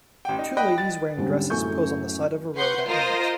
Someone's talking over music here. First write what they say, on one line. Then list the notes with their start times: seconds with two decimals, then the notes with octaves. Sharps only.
Two ladies wearing dresses pose on the side of the road at night.
0.25 A1 G5
0.39 D#4
0.57 D#5 G5 B5 F#6
0.78 A6
1.17 D#2 G#2 D3 G3 C4 C#4
1.50 A1 F#2 A4 G#5 C#6 G6
2.56 B4 F#5 C6 C#6 G6
2.87 F4 A#4 C5 D#5 C6 D#6